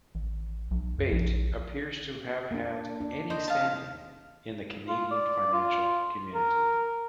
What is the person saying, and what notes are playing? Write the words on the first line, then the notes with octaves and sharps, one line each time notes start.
Bate, appears to have had any standing in the Canadian financial community.
A1
B1
F#2
A#1
A#3 D4
D4
C5 D#5
F5 A5
F4
D5
F4
A#4